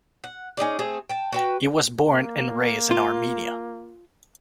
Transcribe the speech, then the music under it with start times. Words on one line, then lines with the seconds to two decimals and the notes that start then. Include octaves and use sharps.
He was born and raised in Armenia.
0.24 F#5
0.57 C#4 D#4 G#4 D5
0.79 A3 C4 G#4
1.09 G5 A5
1.32 F#4 B4 G5
2.09 A#3
2.91 F4